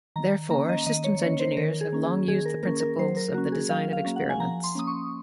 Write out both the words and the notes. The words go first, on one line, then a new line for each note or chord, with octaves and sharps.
Therefore, systems engineers have long used the principles of the design of experiments.
D#3 A#5
A#3 C#4 A#5
D#5
D#3 D#5
C#5
A#3 C#4 C#5
C5
D#3 A#4
G#4
A#3 C#4
G#4
D#3 G#4
A#4
A#3 C#4 A#4
A#4
F#3 C5
A#4
A#3 C#4 F#4
G#4
F#3 F5
F5
A#3 C#4
F#5
G#5
F3 A#5
C6
A#3 C#4 D#6
C#6